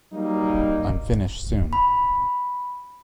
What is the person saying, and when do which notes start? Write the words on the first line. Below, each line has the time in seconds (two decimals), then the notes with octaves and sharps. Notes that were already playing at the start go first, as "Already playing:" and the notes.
I’m finished soon.
0.12 F#3 G3 A#3 D#4
1.73 B5